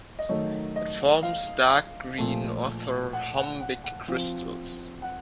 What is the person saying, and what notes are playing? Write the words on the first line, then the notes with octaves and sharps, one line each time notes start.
It forms dark green orthorhombic crystals.
D#5
D#3 F#3 A3 D#4 C#5
D#5
F5
A#2 F3 A3
F#5
F#5
F#5
F#5
F3 C4 F4
F#5